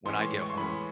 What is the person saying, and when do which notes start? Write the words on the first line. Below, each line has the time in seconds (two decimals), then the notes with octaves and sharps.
when I get home,
0.05 A2 E3 G#3 C#4 C6
0.42 C#6
0.50 C6
0.57 A2 E3 G#3 C#4 B5